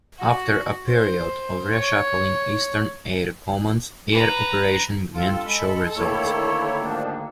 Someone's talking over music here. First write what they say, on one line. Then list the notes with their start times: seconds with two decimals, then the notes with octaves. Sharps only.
After a period of reshuffling, Eastern Air Command's air operations began to show results.
0.19 F#4
0.88 C5
1.73 C#5
4.12 B4 A#5
5.14 G2 C4 F4 A4
5.45 G#3 B5
5.97 D2 D#3 A3 A#3 E4 C#5
6.82 G#2 F3 D4